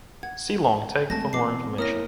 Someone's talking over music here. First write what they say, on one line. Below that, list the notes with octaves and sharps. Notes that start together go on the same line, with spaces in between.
See Long take for more information.
F#5 G#6
G#3 A3 C4 A5 A#6
E2 B2 D6 C7
A#3 E4 C#5 D#6 F6 A#6